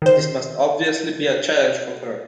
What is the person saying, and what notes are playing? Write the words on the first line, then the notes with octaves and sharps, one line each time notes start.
This must obviously be a challenge for her.
D#3 C5